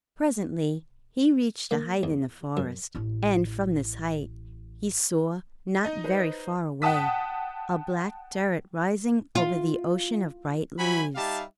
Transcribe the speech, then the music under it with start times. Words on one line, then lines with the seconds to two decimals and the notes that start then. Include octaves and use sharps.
Presently he reached a height in the forest, and from this height, he saw, not very far away, a black turret rising over the ocean of bright leaves.
1.71 A#3
2.03 E2
2.57 F#2
2.95 A1 E4
5.85 D#4 D#5
6.04 B4 C5
6.82 F#5 G5 A5 D#6 B6
9.35 F4
10.78 F#3 E4 C5 G#5 B5
11.16 G3 D#4 G4 E5 F5 A5